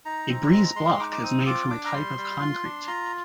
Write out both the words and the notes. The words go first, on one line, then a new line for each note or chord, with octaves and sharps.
A breeze block is made from a type of concrete.
D#4 A#5
C4
G#3
G#3 C6
D#4 D6
D6
C4 D#6
F4 D6
D4 D6
A#5
G3 C6
G3
F4
D4
F4 A#5